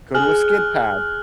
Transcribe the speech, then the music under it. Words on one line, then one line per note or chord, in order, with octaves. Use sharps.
go to a skid pad.
G#4 F6 F#6 F#7